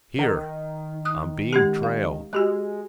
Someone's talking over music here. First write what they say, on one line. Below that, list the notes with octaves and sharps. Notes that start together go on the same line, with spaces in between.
"Here, I'm being trailed."
D#3
D#6 F#6
G#3 C#4 G4
F5
G#3 F#4 G4 F#6